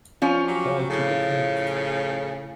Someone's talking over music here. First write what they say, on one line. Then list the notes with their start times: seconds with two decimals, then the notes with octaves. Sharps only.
Paul took a pen.
0.22 F3 C#4 F4
0.47 F#3 G4
0.89 A2 C#3